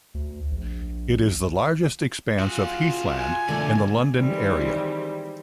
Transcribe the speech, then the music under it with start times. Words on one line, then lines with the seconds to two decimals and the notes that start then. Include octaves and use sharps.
It is the largest expanse of heathland in the London area.
0.14 D2
0.51 A#1
2.39 F4 F#4 G#4
3.16 G#5
3.49 B2 D3 A3 D5
4.16 D#3 E3 G3 G#3 C4